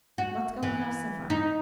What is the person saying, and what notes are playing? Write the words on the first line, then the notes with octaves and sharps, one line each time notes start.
Let's go and have some fun.
F#4
E3
D#4